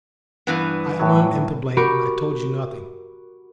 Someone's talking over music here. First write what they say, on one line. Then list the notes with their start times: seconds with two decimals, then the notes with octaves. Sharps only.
I alone am to blame, and I told you nothing.
0.47 G2 E3 B3
0.99 A2 F#3
1.77 F#4 G4 A#4 B5 C#6 D6